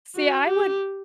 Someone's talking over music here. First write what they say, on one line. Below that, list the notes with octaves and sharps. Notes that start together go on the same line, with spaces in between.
See, I would
F#4
G4